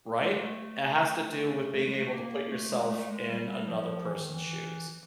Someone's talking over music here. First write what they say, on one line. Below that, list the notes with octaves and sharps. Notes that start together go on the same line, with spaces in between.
Right? It has to do with being able to put yourself in another person's shoes.
A3
G#3
A3
A3
G#3
A3
A#3
A3
G#3
A3
G#3
G3
F3
E3
D#3
E3